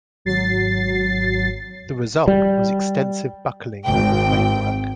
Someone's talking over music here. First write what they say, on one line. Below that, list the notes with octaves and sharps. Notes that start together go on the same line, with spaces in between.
The result was extensive buckling of the framework.
G#1 F#3 A6 C7
G3
G#1 G5